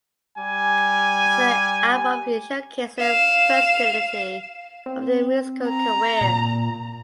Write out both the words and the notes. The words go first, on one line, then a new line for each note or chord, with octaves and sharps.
As an album it showcases versatility of their musical career.
G3 G#5
F5 E7
C4
A#5
A#2